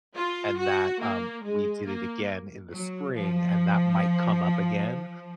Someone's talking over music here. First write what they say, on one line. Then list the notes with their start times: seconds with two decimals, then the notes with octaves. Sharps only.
and that, um, we did it again in the spring, and that might come up again,
0.16 F4
0.58 F#4
1.00 A#3
1.43 G#3
1.85 A#3
2.71 F#3
3.13 F3